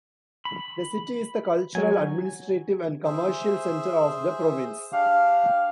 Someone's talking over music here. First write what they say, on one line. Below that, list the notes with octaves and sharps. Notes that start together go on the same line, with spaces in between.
The city is the cultural, administrative and commercial center of the province.
B5
F#3 G#5
G#4 C5 E5
D4 G4 F5